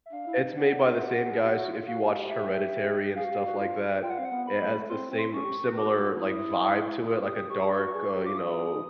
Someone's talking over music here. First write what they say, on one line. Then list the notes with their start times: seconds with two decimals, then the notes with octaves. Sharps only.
It's made by the same guys- if you watched Hereditary and stuff like that- it has the same similar, like, vibe to it, like a dark, uh, you know,
0.06 E5
0.12 D4 F5
0.27 E4
0.42 D#4
0.56 D4 F#5
0.71 D4
0.85 D#4
0.94 F#4
0.99 F4 F#5
1.06 G4
1.11 F#4
1.21 G4
1.32 G#4
1.43 G4
1.58 F#4
1.71 F4
1.86 F#4 F5
2.00 G4
2.16 G4
2.29 E5
3.16 G#4 F5
3.25 F#4
3.31 G4
3.46 F#4
3.60 F4
4.03 F4 G5
4.10 F#5
4.18 C4 F5
4.25 F#5
4.32 B3
4.47 B5
4.61 G#3
4.75 A3
4.90 C4 C6
5.11 C4
5.18 C6
5.33 C#4 C#6
5.44 G4
5.66 F#4
5.77 D6
6.20 E4 D#6
6.99 E4
7.06 F4 D#6
7.21 G4 D#6
7.35 G4 D#6
7.50 G4 C#6
7.64 G4
7.79 F#4
7.94 G#4
8.15 G4
8.25 F4 D6
8.38 D#6
8.74 D#4